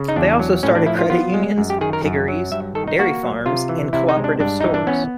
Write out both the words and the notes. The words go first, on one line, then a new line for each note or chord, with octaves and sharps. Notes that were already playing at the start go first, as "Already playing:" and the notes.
They also started credit unions, piggeries, dairy farms, and co-operative stores.
Already playing: C#3
D#4
E2 D4
F#3
A2 C#4
D4
F3 E4
F4
B3 F4
G#3
F#2
G4
D#3 G#4
A#4
F#2
F#3
G2 E5
D#3 A4
D#4
A#3 F#4
F#3
C3 F4
E3
C3 E4
D#4
G#3
D4
G2 D4
E3 D#4
D4
B3 C#4